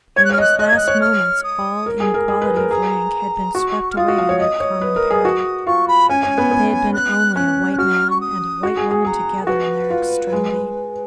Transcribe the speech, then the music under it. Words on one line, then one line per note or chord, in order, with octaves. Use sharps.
In those last moments all inequality of rank had been swept away in their common peril--they had been only a white man and a white woman together in their extremity.
C#5 G#6
F#6
C#5
F6
D#5 F#6
D#5 F#6
G#6
D#5 F#6
C#5
F6
D#6
A#4
G#4
A#4
G#4
B4
A#4
G#4 A#5
F#4 C#6
F6
F4 D#6
F#4
F5
C#5
D#5 D#6
C#5
B4
A#4
G#4
F#4
F4 C#6
B5
C#4 G#5
C#4
B3
B3
F#6
C#4 F#6
F#6
F#4 F6
C#6
D#6
F#4
G#4
G#4
G#4 A#5
A#4
F#4 B4
F4
G#3